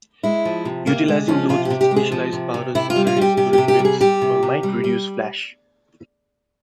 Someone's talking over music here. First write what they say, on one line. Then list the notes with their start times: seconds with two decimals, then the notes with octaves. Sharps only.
Utilizing loads with specialized powders and various bullet weights might reduce flash.
0.23 G#3 E4
0.45 F3
0.65 C3
0.86 C3 A#3
1.08 G#3
1.28 F3 C#4
1.49 C3 F4
1.65 G4
1.70 C3
1.81 G4
1.91 G#3
1.96 G#4
2.12 F3
2.33 C3
2.54 C3
2.75 C3 E4
2.90 F4
2.96 G3
3.07 F4
3.16 G3 G4
3.37 C3 G4
3.53 C3 G4
3.68 G4
3.79 G3
3.85 G#4
4.01 G3 G4
4.22 C3
4.43 C3
4.63 G3
4.84 G3